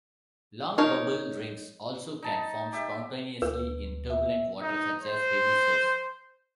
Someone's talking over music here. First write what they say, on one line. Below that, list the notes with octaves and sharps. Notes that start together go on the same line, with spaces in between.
Long bubble rings also can form spontaneously in turbulent water such as heavy surf.
D#4 A#4 C#5
D#4 A5
G4 D#5 E5
D2 B4
E5
D#4
C5